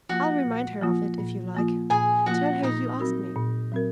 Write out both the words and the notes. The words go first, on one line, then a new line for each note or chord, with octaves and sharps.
I'll remind her of it if you like--tell her you asked me.
F3 A#3 F4 F#4 F#5
A#2
F3 A#3 F4
A#2
F3 A#3 F4
A#2 G#4 G#5
F3 A#3 F4 F#4 F#5
A#2 D#4 D#5
F#3 C4 F#4 A#4
A#2
F#3 C4 F#4 A#4